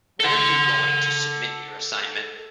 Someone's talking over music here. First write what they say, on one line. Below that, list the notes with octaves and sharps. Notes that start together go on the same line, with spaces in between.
When are you going to submit your assignment?
A4 F#5